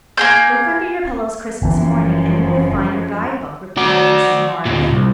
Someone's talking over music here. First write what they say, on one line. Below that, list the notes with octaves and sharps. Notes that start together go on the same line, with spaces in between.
"Look under your pillows Christmas morning, and you will find your guidebook," replied Mrs. March.
A#3 G#4 G6
F#1 F#2 E3 F3
F#4 D5
D2 A#2
C2